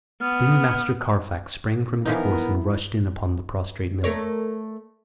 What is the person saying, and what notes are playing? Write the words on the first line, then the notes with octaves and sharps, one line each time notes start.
Then Master Carfax sprang from his horse and rushed in upon the prostrate miller.
B3 F6
E3 F3 B3 D#4 E4 A#4
A3 A#4 C#5